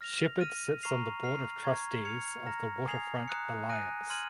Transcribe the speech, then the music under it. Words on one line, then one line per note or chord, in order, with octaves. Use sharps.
Shepard sits on the Board of Trustees of the Waterfront Alliance.
F6 A#6 F7
F6 A#6 D#7
A#5 C#6 F6 C7 F7
F6 C7 F7
A#5 C#6 G#6
F6 G#6 C#7 F7
A#5 F6 A#6
G#5 D#6 G#6 C7 F7
A#5 D#6 F#6 C#7
G#5 D#6 F#6 A#6 D#7
C6 F6 G#6 D#7 F#7